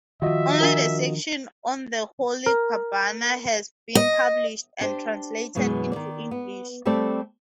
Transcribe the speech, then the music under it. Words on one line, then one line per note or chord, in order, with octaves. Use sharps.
Only the section on the Holy Qurbana has been published and translated into English.
D#3 F3 F4 F#4 D#5 E5
D4 A#4 A#5
A#4
D#5
D4 G4 C5
F#2 B2 E3 F#3 G#3
D#3 D5
B3
G3 A3 C4 G4 A4 D5